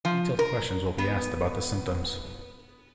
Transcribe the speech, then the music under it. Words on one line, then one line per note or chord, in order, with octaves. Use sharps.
Detailed questions will be asked about the symptoms.
F3
A#4
B3